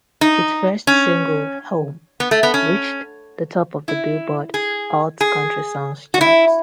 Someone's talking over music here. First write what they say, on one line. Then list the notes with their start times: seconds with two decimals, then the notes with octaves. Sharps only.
Its first single, "Home", reached the top of the "Billboard" Hot Country Songs charts.
0.21 D#4
0.87 C#4
2.20 B3
2.31 A3
2.43 B3
2.54 C#4
3.88 E4
4.54 G#4
5.21 G#4
6.14 F#4
6.21 E4